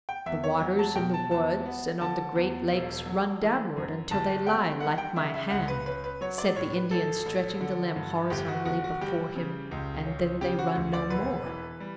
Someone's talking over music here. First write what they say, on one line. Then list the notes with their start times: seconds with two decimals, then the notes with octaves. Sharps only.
"The waters in the woods, and on the great lakes, run downward until they lie like my hand," said the Indian, stretching the limb horizontally before him, "and then they run no more."
0.09 G5
0.26 E2 E5
0.44 C#5
0.60 F#3
0.79 A5
0.96 B2 G5
1.14 A5
1.31 E2 A5
1.66 B3
2.01 D3 A5
2.35 E2
2.72 E1
3.06 F#3
3.41 E3
3.77 F#2
4.11 G1 A5
4.46 B3 G5
4.80 G3 F#5
4.98 G5
5.16 C#3 E5
5.34 E5
5.50 C#2 F#5
5.68 B4
5.86 C#4 B4
6.04 B4
6.21 F#3 C#5
6.38 D5
6.56 A2 C#5
6.73 B4
6.91 A1 A4
7.26 A1
7.61 D3
7.96 G2
8.30 G1 G4
8.48 F#4
8.65 G1 F#4
8.84 F#4
9.01 G3 G4
9.36 C#3
9.71 C#2
10.05 C#4
10.41 C#3 G4
10.59 F#4
10.75 D2
10.93 D5
11.10 E1 B4
11.46 E3
11.80 G3